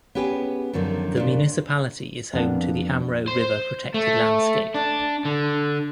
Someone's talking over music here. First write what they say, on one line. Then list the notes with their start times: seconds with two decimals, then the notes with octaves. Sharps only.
The municipality is home to the Amro River Protected Landscape.
0.15 B3 C#4 G4 G#4 B4
0.73 F#2 D3 D#3 F3
1.17 A#2 C#3 D4
2.34 F2 A#3 B3 D4
3.28 C5
3.94 A3
4.75 D4
5.26 D3